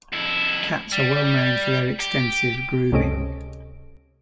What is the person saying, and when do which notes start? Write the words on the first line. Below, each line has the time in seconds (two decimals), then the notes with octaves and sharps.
Cats are well known for their extensive grooming.
0.13 F2 E4
0.92 G3
2.00 G4
2.92 C#2 C3 C#4 A4 D#5 D7